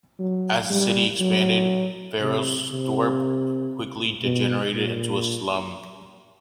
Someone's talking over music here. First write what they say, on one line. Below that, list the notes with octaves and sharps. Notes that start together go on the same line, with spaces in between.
As the city expanded, Ferreirasdorp quickly degenerated into a slum.
F#3
G3
F#3
C3
C3
B2
A#2